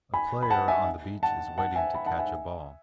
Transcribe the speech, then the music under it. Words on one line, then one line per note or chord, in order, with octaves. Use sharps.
A player on the beach is waiting to catch a ball.
G#5 B5
B5
F#5 A5
E5 G#5
F#5 A5
F#5 A5
E5 G#5
G#5 B5
F#5 A5
E5 G#5